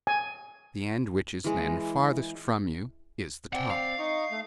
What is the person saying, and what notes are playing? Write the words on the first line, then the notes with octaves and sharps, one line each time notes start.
The end which is then farthest from you is the top.
G#5
E3 G#3
C4 D5 F#5 G5
F5
D#4 D#5 C#6
A3